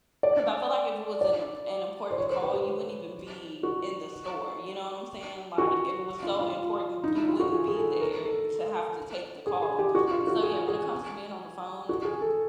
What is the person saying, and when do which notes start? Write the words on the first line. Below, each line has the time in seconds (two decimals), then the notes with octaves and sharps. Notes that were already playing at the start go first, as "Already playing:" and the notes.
‘cause I feel like if it was an im an important call, you wouldn't even be in the store, you know what I'm saying? Like if it was so important, you wouldn't be there to have to take the call, so yeah, when it comes to being on the phone,
0.23 D5
1.21 D5
2.11 C5
2.18 C#5
2.30 C5
2.42 B4
2.54 G4
3.63 F#4
5.58 F#4
6.23 F4
6.39 F4
7.04 D#4
7.16 E4
7.27 F4
7.40 F#4
7.52 G#4
7.68 G#4
7.76 A4
8.01 A#4
8.25 A4
9.47 G#4
9.62 G#4
9.79 G4
9.95 F#4
10.11 F4
10.27 F#4
10.43 G#4
10.68 G#4
11.89 F#4
12.05 G#4
12.21 A4